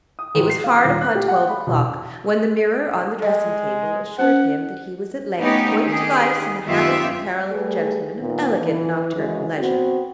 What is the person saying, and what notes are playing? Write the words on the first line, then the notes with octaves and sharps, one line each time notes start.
It was hard upon twelve o'clock when the mirror on the dressing-table assured him that he was at length point-device in the habit and apparel of a gentleman of elegant nocturnal leisure.
D#6
A1
C7
F5
D#1
F#6
G4
F#5
B5
E1
G#3 D#5
C#4 C5 F#5
A3 B3 C#4 D#4 G4
D#3 G4 G#4
F#2 D#3 B3 F4 G4 E5
G3 A3 G#4 B4
A#2 D#3 B3
E3
F#2 C#3 E3 G#3
B3 C4 F#4